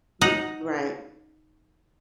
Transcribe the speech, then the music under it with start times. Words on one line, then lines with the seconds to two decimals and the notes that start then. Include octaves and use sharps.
With right.
0.21 D#4 F#5 A#5